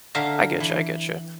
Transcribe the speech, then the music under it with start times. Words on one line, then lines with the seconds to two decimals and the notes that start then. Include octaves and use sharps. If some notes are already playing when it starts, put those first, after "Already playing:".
I get you, I get you.
0.15 D3 E5 F5 A#5
0.60 E3